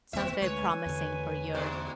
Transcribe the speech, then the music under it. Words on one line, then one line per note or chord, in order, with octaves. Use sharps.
sounds very promising for your
F1 D#2 B3 E5
D2 G#3 B4 C#5 G#5
E2 D3
G#2 B2 D4